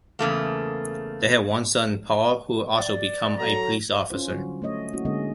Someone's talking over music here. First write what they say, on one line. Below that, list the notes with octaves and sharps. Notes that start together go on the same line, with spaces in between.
They had one son, Paul who also became a police officer.
E2 C#3 A3 A#3
D5
F#3 A4 A#5
C#4 E4 F4 C5
D3 F#3 G3 F4 F#4
A3 C#4 C#5 D#5
A3 A#3 C#4 E4 F#4
D3 G#3 A#3 C4 C#4 D#5